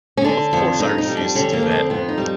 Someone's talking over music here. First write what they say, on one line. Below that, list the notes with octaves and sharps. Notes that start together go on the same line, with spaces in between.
Of course I refused to do that!
C#4
D3 D4
F2
F2 D#4
D#4
G3
D4
D3 C#4
A#3
F2
C4
F2 B3
D#4
G3